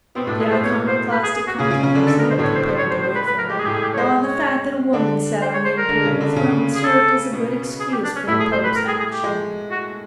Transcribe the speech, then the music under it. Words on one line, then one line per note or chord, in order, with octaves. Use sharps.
The Iconoclastic controversy had prepared the way for it, while the fact that a woman sat on the imperial throne served as a good excuse for the Pope's action.
B2 B3 C4
A2 A3 D4
G#3 G#4
A2 A3 C5
B2 B3 C#5
C5
B4
G#4
G#4
F#4
C#3 C#4 G#4
C#3 C#4
C#3 C#4
D3 D4
D3 D4 A4
A#4
B2 B3
C5
A2 A3 C#5
C5
C5
C#5
C5
C5
B4
B4
A#4
G#3 G4
G#4
A2 A3 G4
G#4
G4
C#5
G#3 C5
C#5
D3 D4
C5
C#5
C5
A#4
D3 D4
C#3 C#4
D3 D4
C#3 C#4
G#4
A4
B2 B3
G#4
G4
D4
C#4
A2 A3 E4
G#4
C5
B4
A#4
G#4
G#4
G4
G#3
F#4